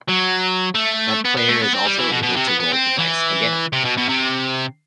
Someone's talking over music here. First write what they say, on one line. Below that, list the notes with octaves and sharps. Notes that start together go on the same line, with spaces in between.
That player is also able to roll the dice again.
F#3
A3
B3
B3
A3
B3
C4
G3
E3
B2
B2
C3
B3
B3
C4
E3
C3
B2
B2
C3